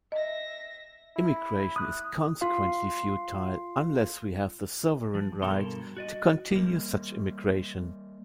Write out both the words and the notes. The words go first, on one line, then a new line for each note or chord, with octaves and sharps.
Immigration is consequently futile unless we have the sovereign right to continue such immigration.
D#5 E5 A#6
E4
D#6 F#6
F4 F5
F3
G2 B2 A4 A#4 C6
F#4 D5 D#5
G3 A#3